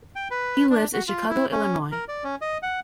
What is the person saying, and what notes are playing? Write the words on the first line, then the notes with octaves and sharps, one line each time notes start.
He lives in Chicago, Illinois.
G5
B4
D4
F#4
F4
E4
C#4
A#4
D5
C#4
D#5
F#5